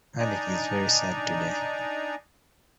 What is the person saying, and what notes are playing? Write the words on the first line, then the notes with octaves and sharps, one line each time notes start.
Hardik is very sad today.
D4 D#4 D5 G#5 A#5